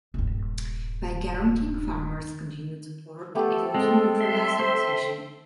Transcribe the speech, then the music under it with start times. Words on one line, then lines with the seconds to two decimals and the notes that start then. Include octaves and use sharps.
By guaranteeing farmers continued support, it also neutralised opposition.
0.14 D#1 G2
3.35 A3 B3 G4 A4 G5
3.75 G#3 C4
4.21 E5 C6
4.60 C5